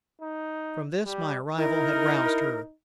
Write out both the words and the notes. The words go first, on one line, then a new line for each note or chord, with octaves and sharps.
From this my arrival had roused her.
D#4
G3
D#4 E4 A#4